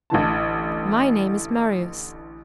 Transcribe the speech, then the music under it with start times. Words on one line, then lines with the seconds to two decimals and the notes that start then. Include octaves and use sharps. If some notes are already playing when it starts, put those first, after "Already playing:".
My name is Marius.
0.10 A1 D3 E3 A5